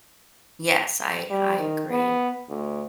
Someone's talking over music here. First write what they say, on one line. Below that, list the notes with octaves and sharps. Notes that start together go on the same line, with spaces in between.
Yes, I I agree.
G3
D#3
B3
D2